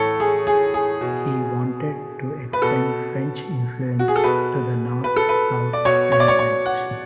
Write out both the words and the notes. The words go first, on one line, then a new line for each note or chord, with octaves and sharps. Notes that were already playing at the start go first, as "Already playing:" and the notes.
He wanted to extend French influence to the north, south and west.
Already playing: A2 E3 A4 C#5
G#4
G#4
G#4
B2
B4
B2 A4
F#4
G#4
A4
B2 B4
B4
A4
B4
D5
B2 C#5
C#5
D5
C#5
C#5
F#5